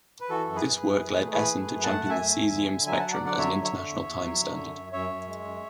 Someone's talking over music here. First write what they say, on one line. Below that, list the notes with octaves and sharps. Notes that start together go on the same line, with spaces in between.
This work led Essen to champion the caesium spectrum as an international time standard.
B4
E3 F#4 A4
F#2
G#4 B4
F#2
F#2
E3
A3
E3 G#4 B4
A3
F#2
A3 F#5 A5
F#2
E5 G#5
A3
E2
D3
D3
F#3 E5 G#5
F#3 F#5 A5
D5 F#5
D3
D5 F#5
F#3 C#5 E5
D3
C#5 E5
D3
E2
E2
F#3
D3
F#2
F#2
F#2 C#5 E5
F#2
G#3
F#2